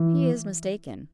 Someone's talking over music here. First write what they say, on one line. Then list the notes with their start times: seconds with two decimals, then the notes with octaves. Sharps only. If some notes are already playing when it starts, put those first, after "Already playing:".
He is mistaken.
Already playing: E3